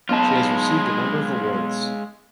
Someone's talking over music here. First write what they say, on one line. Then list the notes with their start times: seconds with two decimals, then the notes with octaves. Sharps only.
She has received a number of awards.
0.09 B1 G#3 B3 F4 A5